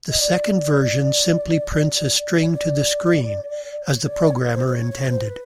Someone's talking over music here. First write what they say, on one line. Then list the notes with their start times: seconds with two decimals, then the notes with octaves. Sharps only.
The second version simply prints a string to the screen, as the programmer intended.
0.09 D#5
0.19 D5
2.38 D5
2.45 C#5
2.54 D5
3.83 C#5
4.07 D5
4.31 C#5
4.54 C5
4.67 C5
4.73 C#5
4.91 C#5
5.09 C5
5.27 B4